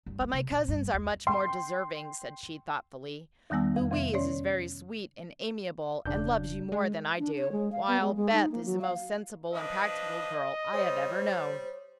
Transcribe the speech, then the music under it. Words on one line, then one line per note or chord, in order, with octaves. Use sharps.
"But my cousins are much more deserving," said she, thoughtfully. "Louise is very sweet and amiable, and loves you more than I do, while Beth is the most sensible and practical girl I have ever known."
G2
G#3
C3
A#2
G2
D#2
G5 C6
E2 D#3 G3 B3 G#5 E6
F2
F2 C3 E5
C#4 C#5 D5
E1 C#3 D4 G6
G#3
D4
C#5
G#3
F5
B3
G#3
G#3
D#4
A#3
F#3
F5
F3 D4 B4 D#5
G3 C5 C#5 C6 D#6